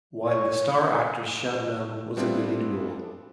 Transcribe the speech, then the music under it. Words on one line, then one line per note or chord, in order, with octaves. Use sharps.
While the star actress Shabnam was in the lead role.
C#5
G3 B3 C4 D4 E4 F4